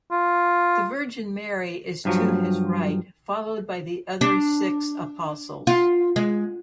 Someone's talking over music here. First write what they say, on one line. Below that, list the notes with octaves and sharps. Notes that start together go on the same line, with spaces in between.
The Virgin Mary is to his right followed by the other six apostles.
F4
G2 F3 F#3
D4
F4
G#3